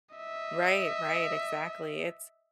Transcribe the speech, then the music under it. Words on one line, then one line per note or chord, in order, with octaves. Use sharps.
Right, right, exactly, it's
D#5 E5